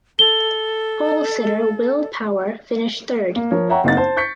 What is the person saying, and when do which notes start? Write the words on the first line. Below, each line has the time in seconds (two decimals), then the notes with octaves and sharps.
Polesitter Will Power finished third.
0.19 A4 G7
3.36 A#3
3.51 F3 A#4 C#5
3.69 C#5 E5 F#5 G5 A#5 C#6
3.84 F#1 A#3 C4 D#4 F#5 A6
3.97 C5 A5
4.16 C#6 G6 B6 C#7